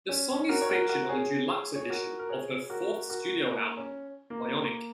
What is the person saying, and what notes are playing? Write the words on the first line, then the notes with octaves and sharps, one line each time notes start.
The song is featured on the deluxe edition of her fourth studio album "Bionic".
C#4
C#4
F#4 A#4
C#5
F#4 A#4
F#4 A#4
G#4 C#5
C#5
F#4 A#4
A#4
G#4 C#5
F#4 A#4
F#4 A#4
A#3
C#4
A#3